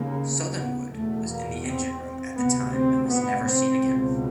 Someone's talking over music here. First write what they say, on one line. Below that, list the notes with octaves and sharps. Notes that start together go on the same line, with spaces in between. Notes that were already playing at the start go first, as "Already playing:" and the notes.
Southernwood was in the engine room at the time and was never seen again.
Already playing: D#2 C#3 A#3
B3
E2 B2 A3
A#3
C4
D2 C3 B3
C4
B3
C4
C#2 B2